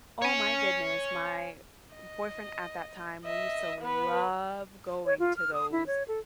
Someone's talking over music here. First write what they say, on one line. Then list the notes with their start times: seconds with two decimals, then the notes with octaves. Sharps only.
oh my goodness, my boyfriend at that time, we used to love going to those
0.22 C#5 G#5
1.95 D#5
3.25 D#5 E5
3.81 B3 B4
5.06 C#5
5.19 F4
5.37 F6
5.54 D#6
5.72 E4
5.87 C#5
6.08 A4